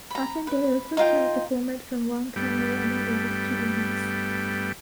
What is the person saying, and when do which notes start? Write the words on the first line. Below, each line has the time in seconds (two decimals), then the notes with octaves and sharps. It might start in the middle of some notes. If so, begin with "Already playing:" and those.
Often they also change the format from one camera model to the next.
0.11 A#5 B5
0.47 B4
0.97 D#4 F4 G5
2.36 G2 G3 A3 B3 G5